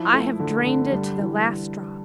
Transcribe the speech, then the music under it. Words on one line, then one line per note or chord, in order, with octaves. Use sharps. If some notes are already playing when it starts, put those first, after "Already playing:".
I have drained it to the last drop.
Already playing: F3 E4
A3
D3
D3
G3
E3